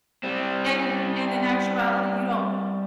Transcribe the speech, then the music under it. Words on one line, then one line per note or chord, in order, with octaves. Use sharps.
and and in actuality, you don't
G3 C4